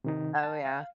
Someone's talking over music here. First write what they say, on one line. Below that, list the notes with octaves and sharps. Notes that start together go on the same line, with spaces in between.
Oh, yeah.
C3 D#3 D#4
A5
F5